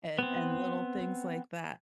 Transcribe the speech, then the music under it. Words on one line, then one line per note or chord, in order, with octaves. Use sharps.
and and little things like that,
B3 C4